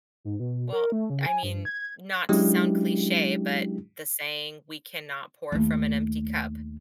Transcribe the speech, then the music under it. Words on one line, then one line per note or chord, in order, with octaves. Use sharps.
Well, I mean, not to sound cliche, but the saying "We cannot pour from an empty cup."
G#2
B2
A#4
A3
C#3
G#5
G2
G#6
F#3 G#3 C#4 D4 E4 G4
D#2 A3